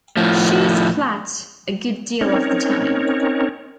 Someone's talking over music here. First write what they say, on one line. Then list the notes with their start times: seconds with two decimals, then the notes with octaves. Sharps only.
She is flat a good deal of the time.
0.17 A2 F3
2.21 C4 C#4 D#4 A#4 C#5